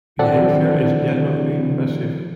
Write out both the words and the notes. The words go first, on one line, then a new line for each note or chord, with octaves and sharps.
Behavior is generally passive.
D1 D#3 F3 C4 A4 D5 F#5